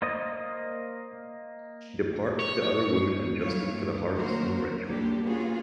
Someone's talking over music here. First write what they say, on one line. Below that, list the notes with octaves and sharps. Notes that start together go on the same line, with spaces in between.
She departs with the other women and Justin for the Harvest Home ritual.
A#3 C5 D5 D#5 D#6
C#5
G2 E3 F#3 C#5 F5
G2 A3
D#3 F#3 A#3 F#4 A#4 C5
G3 A#3 C4 D4 G4
A#3 B3 C#4 F4 F#4 G#4